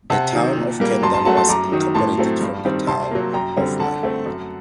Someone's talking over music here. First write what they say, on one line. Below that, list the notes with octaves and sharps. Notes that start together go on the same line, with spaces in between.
The Town of Kendall was incorporated from the Town of Murray.
C3 F#5 A5
D#3 F#3
A#2
G3 A#3
F#2 A5 C6
A5 C6
F#3 A3 F#5 A5
A5 C6
F#2 A#5 D6
D#3 F#3
A2 A5 C6
F#3 A3 C4
G2
D#3 G3 C4
C3 A5 C6
F#3 A#3
F#2 G5 A#5
D3 G3 C4
D3 F#5 A5
A3 C4
F#2